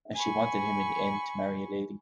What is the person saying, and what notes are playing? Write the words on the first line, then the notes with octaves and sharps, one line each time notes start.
And she wanted him in the end to marry a lady.
G#5 B5 C#6